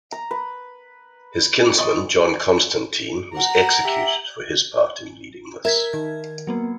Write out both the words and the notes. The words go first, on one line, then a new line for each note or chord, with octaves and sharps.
His kinsman John Constantine, was executed for his part in leading this.
A#5
B4
D5 D#5 C6 C#6
F#5 A#5
G4 E5
A#4 E5 G#6 B6
D#3 G#6
F#3 A#3 B3